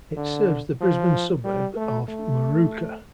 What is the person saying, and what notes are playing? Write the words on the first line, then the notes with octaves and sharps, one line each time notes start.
It serves the Brisbane suburb of Moorooka.
D3
F3
G3
A3
A3